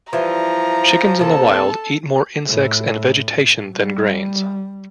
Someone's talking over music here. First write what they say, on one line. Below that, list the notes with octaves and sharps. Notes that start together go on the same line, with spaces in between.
Chickens in the wild eat more insects and vegetation than grains.
E3 F3 G3 A#5
C3 A#3 A4 A5
A2
G3